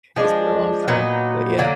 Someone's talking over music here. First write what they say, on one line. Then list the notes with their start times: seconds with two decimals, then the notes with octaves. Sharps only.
it's been a long time, but yeah.
0.16 F3 G#3 D4
0.88 A#2 F#3 B3 D#4
1.58 D3 F#3 A#3